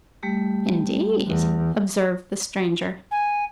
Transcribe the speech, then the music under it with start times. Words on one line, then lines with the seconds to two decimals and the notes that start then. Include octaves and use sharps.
"Indeed?" observed the Stranger.
0.23 G3 A3 G4
1.27 E2
3.11 G#5